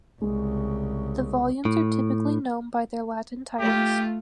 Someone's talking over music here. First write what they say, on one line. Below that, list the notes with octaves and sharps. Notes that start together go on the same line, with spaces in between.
The volumes are typically known by their Latin titles.
C2 C#3 G#3
A2
A3 F4 G4